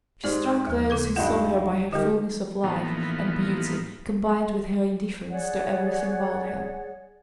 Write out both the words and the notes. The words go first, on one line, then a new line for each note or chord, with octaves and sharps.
She struck those who saw her by her fullness of life and beauty, combined with her indifference to everything about her.
G#2 G4 D5
D#2 F3
C#3 A4 G#6
G2 G3 D#4 F4 F5 F#5
D3 G3 D#4 G4 A#4
A2 E3 F3 A#3 B3 D#4
G#4 C#5 D5 F#5